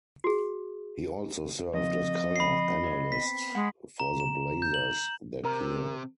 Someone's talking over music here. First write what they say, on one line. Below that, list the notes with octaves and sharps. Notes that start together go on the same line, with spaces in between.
He also served as color analyst for the Blazers that year.
F#4 G#4
F3 C4 D#5
B5 C7
F#3
B3 C4 B6
G#3 F#5
A#5
E7
G6
F#7
C3 A#4